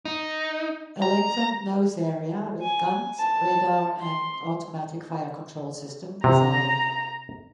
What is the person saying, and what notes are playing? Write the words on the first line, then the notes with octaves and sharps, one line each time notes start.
A lengthened nose area with guns, radar, and automatic fire control system was added.
D#4
A#5
G#5
A5
C6
C3 A#5